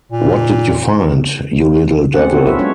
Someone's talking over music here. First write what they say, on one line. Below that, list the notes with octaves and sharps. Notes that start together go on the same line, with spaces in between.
What did you find, you little devil?
A#2
A3 C4 C#4 G#4 D5 F#5
B3 C#4 F4 F#4 A4
D#4 F4 A4 B4 E5
F#3 G#3 C#4 D4 F4 C#5